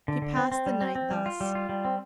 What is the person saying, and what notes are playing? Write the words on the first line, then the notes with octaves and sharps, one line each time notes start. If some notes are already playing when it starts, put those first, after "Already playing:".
She passed the night thus.
D3
D3
C4
C4
G3
C4
C4
G3
F4
G3
F4
G3
C4